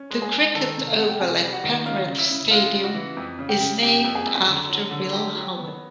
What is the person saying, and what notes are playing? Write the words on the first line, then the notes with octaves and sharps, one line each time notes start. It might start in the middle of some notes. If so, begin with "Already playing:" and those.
The Cricket oval at Penrith Stadium is named after Bill Howell.
Already playing: C#4
G#3
G#4 G#5
G#3
D#3 A4 A5
C3
F5
C3 F#5
G5
C3 G#4 G#5
G3
F#4 F#5
D#3
C#3 F4 F5
C#3
E4 E5
C#3
G#3 F4 F5
C#3
F#4 F#5
E3
F2
C#3
G4 G5
C#3
F2 G4 G5
F2
G#4 G#5
F2
D3
F#3
D3
F#3 G4 G5
F#3
B3